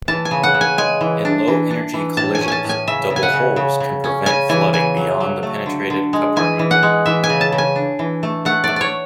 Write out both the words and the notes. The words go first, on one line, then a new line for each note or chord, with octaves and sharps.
In low-energy collisions, double hulls can prevent flooding beyond the penetrated compartment.
E3 A5
G#5
C#3
F#5
C#3
G#5
G#3 G#5
E3
D4
E3
D4
E3
A2 A5
G#5
C#4
G#5 A5
A2
G#5
C#3 E5
C#3
G#5
F#5
C#3
C#3
C#3
C#4
C#3 G#5
E3 G#5
C#3 G#5
F#3
F#3
A3
D3
D3
G#3
E3 G#5
E3
F#5
G#3
E3 E5
G#5
C#3
A5
C#3
G#5
D4
E3
A3
A3 F#5
A3 D5
C#5 D5